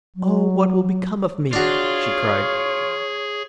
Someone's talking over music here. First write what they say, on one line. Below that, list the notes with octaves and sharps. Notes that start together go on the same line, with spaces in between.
'Oh! what will become of me?' she cried.
F#3
D4 F4 F#4 G#4 C#5